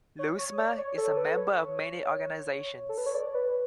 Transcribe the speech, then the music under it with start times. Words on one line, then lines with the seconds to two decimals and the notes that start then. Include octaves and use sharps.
Lousma is a member of many organizations.
0.19 C#5
0.39 C#5
0.58 D5
0.78 C#5
0.98 A4
1.17 B4
1.37 C#5
2.89 A4
2.98 B4
3.06 C#5
3.15 D5
3.34 B4